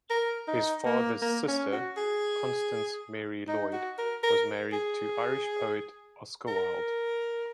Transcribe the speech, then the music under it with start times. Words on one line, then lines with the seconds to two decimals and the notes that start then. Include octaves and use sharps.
His father's sister, Constance Mary Lloyd, was married to Irish poet Oscar Wilde.
0.10 A#4
0.48 D#4
0.85 A#3
1.22 A#3
1.48 C#4
1.72 F#4
1.97 G#4
3.48 D#4
3.73 F#4
3.98 A#4
4.23 A#4
4.72 G#4
6.48 A#4